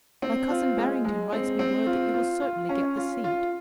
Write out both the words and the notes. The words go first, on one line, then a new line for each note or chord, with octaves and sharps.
My cousin Barrington writes me word that you will certainly get the seat.
C4
F4
G#3
G#3
C4
C4
F4
F4
F4
C#4
F4
F4